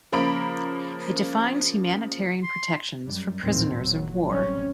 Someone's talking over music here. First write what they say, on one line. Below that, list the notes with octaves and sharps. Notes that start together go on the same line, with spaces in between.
It defines humanitarian protections for prisoners of war.
C#3 F3 A#3 A#5 B5 D7
C6
F#2 G3
A1 D#2 A#2 D#3 C4
F#1 F#3
A1 C3 G3 C#4